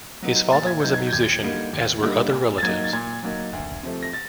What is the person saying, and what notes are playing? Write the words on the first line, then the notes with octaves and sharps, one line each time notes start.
His father was a musician, as were other relatives.
F#3 B3 D#4
A#2 A6
G#6
F#3 B3 D#4 G6
G#6
G6
D#2 G#6
D3 G3 A#3 D#4
D#2
D3 G3 A#3 D#4
A#2
A6
F#3 A#3 D#4 G#6
A6
A#2 G#6
F#3 A#3 D#4
D2
C3 F3 A3
A#6
A6